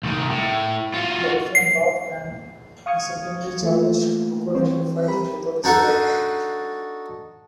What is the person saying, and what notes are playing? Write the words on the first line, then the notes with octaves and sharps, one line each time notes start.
The ruffian laughed and insultingly challenged Bokuden to fight him without a sword.
C2 D#3
A2
F4 F#4
C7
F5 C#6 D#6 F6 G#6 C#7
E3 A3 A#3 F4
E3 G3 C4 C5 C#5
G4 A#4 B5
D4 D#4 F#4 A4